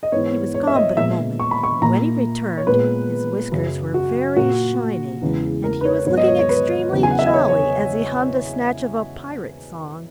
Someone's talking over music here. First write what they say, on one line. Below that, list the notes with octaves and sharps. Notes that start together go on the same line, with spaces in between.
He was gone but a moment, and when he returned his whiskers were very shiny, and he was looking extremely jolly as he hummed a snatch of a pirate song.
D#5
G#2 E3 B3 C#5
C#5
E5
D#5
A#2 G#3 B3 E5
C#6
B5
C#6
A#2 A#3 A#5
C#5
A#2 G#3 B3 B4
F#2 C#3 F#3
F#4
A#2 A#3 F#4
E2 C#3 E3 G#3
A#4
B4
C#5
G#2 F#3 B3 C#5
D#5
C#5
C#5
B4
E2 C#3 F#3 B3
G#5
F#5
E5
D#5
C#5
C#5